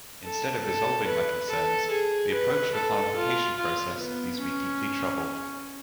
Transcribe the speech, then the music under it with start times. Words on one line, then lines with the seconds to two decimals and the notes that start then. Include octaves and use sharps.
Instead of resolving my concerns, the approach for clarification process leaves me deeply troubled.
0.24 A4
0.66 A4
1.07 B4
1.50 A4
1.91 G#4
2.32 B4
2.74 A4
3.16 F4
3.57 F4
3.98 B3
4.40 C#4